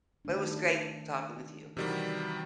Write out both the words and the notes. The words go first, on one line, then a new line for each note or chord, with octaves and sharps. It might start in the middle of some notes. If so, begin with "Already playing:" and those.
but it was great talking with you.
D#3 A3 D4
C3 D#3 E3 G3 F#4 D5